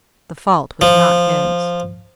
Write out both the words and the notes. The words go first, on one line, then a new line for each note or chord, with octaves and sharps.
The fault was not his.
F3